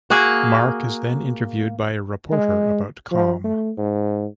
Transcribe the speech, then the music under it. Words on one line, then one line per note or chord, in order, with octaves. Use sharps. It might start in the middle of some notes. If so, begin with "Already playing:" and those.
Mark is then interviewed by a reporter about Kham.
A#3 F#4 G#4
G#3
F3
A3
G#2